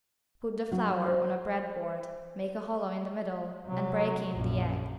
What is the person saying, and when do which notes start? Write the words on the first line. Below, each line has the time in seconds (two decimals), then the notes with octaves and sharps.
Put the flour on a bread board, make a hollow in the middle and break in the egg.
0.72 F#3
1.06 C5
3.67 C3 F#3
4.33 A#1 F#2